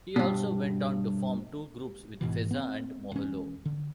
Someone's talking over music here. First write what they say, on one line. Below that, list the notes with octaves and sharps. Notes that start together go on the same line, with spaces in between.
He also went on to form two groups with Feza and Moholo.
G2 B2
G#1 G#2 B2 E3
B3 C4
E1 C#4
D3